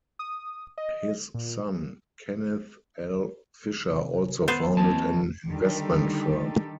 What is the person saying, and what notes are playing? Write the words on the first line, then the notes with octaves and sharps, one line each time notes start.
His son Kenneth L. Fisher also founded an investment firm.
D#6
D#5
A#2
C3
B3 C5 F#5 E6 A6
E2 E3 A#3 C4 A5
D3 D#3 G3 D#4 G4 A4